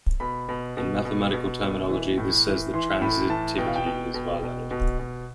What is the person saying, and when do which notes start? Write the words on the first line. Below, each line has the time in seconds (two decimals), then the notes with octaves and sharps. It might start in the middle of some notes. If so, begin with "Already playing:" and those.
In mathematical terminology, this says that transitivity is violated.
0.20 B2 B5
0.49 B2
0.77 B2
1.05 B2
1.33 B2
1.61 B2
1.90 E3
2.18 A2
2.46 E3
2.74 E3 C6
3.01 A2 B5
3.30 E3 A5
3.58 B2 G5
3.67 F5
3.76 G5
3.86 B2
4.14 B2
4.43 B2
4.71 B2
4.99 B2